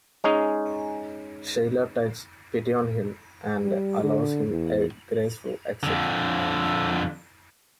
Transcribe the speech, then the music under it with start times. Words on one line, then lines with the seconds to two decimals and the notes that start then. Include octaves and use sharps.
Sheila takes pity on him and allows him a graceful exit.
0.24 G#3 C#4 D#4 G#4
3.63 G3
4.03 D3
4.50 E2
5.83 F2 D3